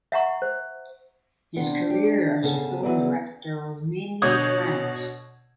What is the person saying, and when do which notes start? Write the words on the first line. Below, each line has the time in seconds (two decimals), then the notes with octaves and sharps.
His career as a film director was mainly in France.
0.12 E5 F#5 A#5 C#6
0.42 C5
1.56 C3 B3 D4
1.90 G4
2.43 C#3 B3 A4
2.83 E3 F#3 B3 D5
4.22 B2 D3 C#5 D#6 G6 G#6